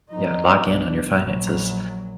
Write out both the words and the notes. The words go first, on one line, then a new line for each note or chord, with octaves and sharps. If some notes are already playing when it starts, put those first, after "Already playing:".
Yeah, lock in on your finances.
F2 D#4
B1 D4
A#1 F#3